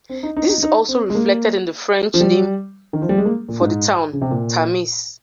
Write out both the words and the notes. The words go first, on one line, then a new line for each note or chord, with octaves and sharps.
This is also reflected in the French name for the town, Tamise.
C4
D#4
D#4
D#4
D#4
C4
G#3
A#3
F3
G3
D#3
F3
G3
G#3
A#3
A#2
G#2
C#3
C3
A#2